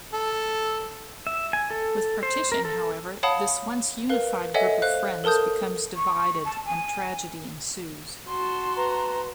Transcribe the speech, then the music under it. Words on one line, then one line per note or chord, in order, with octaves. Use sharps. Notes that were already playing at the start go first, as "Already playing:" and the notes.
With partition, however, this once unified group of friends becomes divided and tragedy ensues.
A4
E5
G#5
A4
C5
A#4
A4
C#5 F5 F#5 A5 B5 D#6
A#4 B4 F5
A4 C#5 D#5 E5 F#5 G#5
C5 F5 F#6
A4 A#4 A5 D#6 G6
C#6
A5
G#5
F#4 A5 C6
B4 A#5